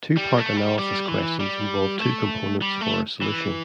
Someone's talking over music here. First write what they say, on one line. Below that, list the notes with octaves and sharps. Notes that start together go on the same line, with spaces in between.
Two-part analysis questions involve two components for a solution.
G3
A3
G3
G3
E3
G3
A3
G3
A3
E3